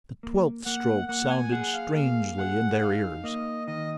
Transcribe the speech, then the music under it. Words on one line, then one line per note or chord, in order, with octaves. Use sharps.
The twelfth stroke sounded strangely in their ears.
A#3
A#3 F#5
A#3 F#5
G#5
G#4 F#5
F5
A#3 F5
G#4 F#5
D#4 F5
A#3 D#5
D#3 D#5